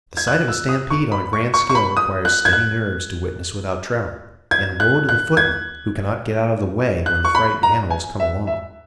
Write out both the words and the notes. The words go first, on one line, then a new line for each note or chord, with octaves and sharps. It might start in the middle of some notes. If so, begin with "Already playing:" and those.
The sight of a stampede on a grand scale requires steady nerves to witness without tremor; and, woe to the footman who cannot get out of the way when the frightened animals come along.
G#6
F#6
E6
D#6
C#6
B5
C#6
C#6
C#6
B5
D#6
F#6
G#6
F#6
G#6
F#6
F#6
G#6
F#6
C#6
B5
A#5
G#5
E5
E5